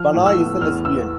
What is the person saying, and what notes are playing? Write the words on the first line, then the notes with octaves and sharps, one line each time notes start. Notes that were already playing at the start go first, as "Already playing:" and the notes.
Banai is a lesbian.
Already playing: F3 F6
A2
E6
B3
E2 F6
B3 E6